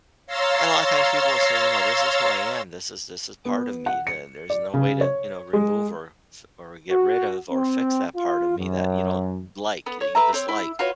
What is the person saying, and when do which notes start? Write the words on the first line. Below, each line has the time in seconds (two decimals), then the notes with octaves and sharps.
and a lotta times people will say, you know, "This is who I am. This is this is part of me. There there's no way to, you know, remove or f or get rid of or fix that part of me that you don't like, that you dislike."
0.26 C#5 F5 A#5 C6 E6 A6
3.45 B3
3.86 F#5
4.07 C#7
4.50 D5
4.74 C#3
5.01 C#5
5.53 G#3
6.90 F#4
7.50 C4
8.16 F4
8.58 F#2
9.86 B3
10.01 C#5
10.15 B4 E5 A#5
10.33 C4 C#5
10.48 E4
10.79 F4 F#4 B4 C#5